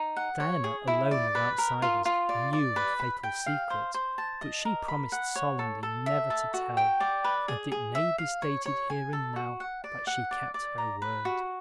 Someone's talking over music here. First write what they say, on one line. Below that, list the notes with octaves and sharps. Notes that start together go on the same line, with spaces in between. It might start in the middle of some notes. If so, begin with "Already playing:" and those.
Diana alone of outsiders knew the fatal secret, but she promised solemnly never to tell, and it may be stated here and now that she kept her word.
Already playing: D#4
F#5
C#5
G#4
E4
D5
B4
A#4
F4
F4
D5
D5
B4
B5
G5
F5
C5
C5
A5
D#5
A#4
B5
F#5
C#5
A4
A4
E5
A4
F#4
G5
D5
B4
G#4
G#4
E5
F5
C#5
C#5
G#5
A4
F#4
F#5
D5
F#5
D5
D5
A#5
B4
F#4